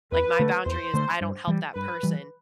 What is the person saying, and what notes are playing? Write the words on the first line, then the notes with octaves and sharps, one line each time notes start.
Like, my boundary is I don't help that person,
E2 B4
D3 A3
E2 C5
D3 A3
G2
E3 G3
G2 B4
E3 G3